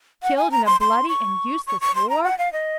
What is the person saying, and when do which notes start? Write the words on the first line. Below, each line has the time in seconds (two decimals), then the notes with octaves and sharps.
Killed in a bloody and useless war!
0.23 F#5
0.37 G#5
0.52 A#5
0.66 C6
0.81 C6
1.09 C#6
1.67 C#6
1.81 C#6
1.95 C6
2.10 A#5
2.24 F#5
2.39 F5
2.53 D#5